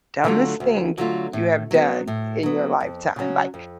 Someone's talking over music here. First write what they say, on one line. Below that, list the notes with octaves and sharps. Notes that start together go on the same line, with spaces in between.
dumbest thing y you have done in your lifetime." Like,
D3 F#3 A3 F4
D2
D3 F#3 A3 F4
A2
F#3 B3
A2
F#3 B3
F2
C#3 F#3 C#4
F2